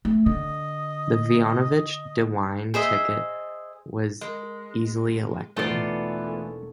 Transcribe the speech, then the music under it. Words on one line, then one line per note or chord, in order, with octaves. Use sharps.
The Voinovich-DeWine ticket was easily elected.
A3
D3 D#5
G#4 C5 D#5 E5
G#3 A#4
E1 E3 A3 B3 D#4 F4 D5 A#5
A#3 C#4 A4